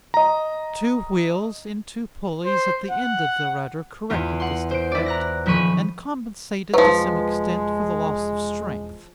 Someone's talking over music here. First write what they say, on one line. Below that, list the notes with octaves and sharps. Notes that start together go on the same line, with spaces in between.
Two wheels in two pulleys at the end of the rudder corrected this defect, and compensated, to some extent, for the loss of strength.
D#5 A#5
C5
F#5
E2 B3 F4
F#5 C6
C5 D7
E4 D5
A#5 F#6 A#6
D#1 F3 B5 C#6 D#7
E1 F3 F#3 G#3 B4